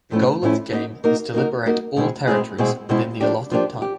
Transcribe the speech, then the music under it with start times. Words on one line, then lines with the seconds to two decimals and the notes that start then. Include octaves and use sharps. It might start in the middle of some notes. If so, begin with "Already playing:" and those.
The goal of the game is to liberate all territories within the allotted time.
0.11 A2 F3 A3 C#4 E4
0.42 A2 F3 A3 C#4 E4
0.72 A#3 D#4 F#4 A#4
1.04 A#3 D#4 F#4 A#4
1.34 A#3 D#4 F#4 A#4
1.66 A#3 D#4 F#4 A#4
1.96 B2 G#3 C4 E4 G#4
2.27 B2 G#3 C4 E4 G#4
2.58 B2 G#3 C4 E4 G#4
2.89 B2 G#3 C4 E4 G#4
3.20 F3 A#3 D4 G4
3.51 F3 A#3 D4 G4
3.82 G4